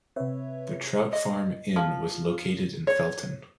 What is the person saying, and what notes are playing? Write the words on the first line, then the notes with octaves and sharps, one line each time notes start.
The Trout Farm Inn was located in Felton.
C3 C4 B4 C#5 E5
D#5
F3
C#5